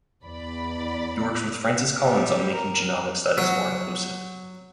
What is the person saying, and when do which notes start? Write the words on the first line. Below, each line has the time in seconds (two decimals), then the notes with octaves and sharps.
He works with Francis Collins on making genomic studies more inclusive.
0.25 E2 D5 B5
2.01 G3
2.53 A#4
3.38 F#3